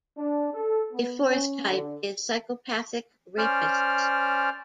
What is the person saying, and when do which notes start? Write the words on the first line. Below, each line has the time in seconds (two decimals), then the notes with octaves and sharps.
A fourth type is psychopathic rapists.
0.18 D4
0.53 A4
0.93 B3
1.29 C#4
1.68 D3
3.38 C#4 C5 D5 F6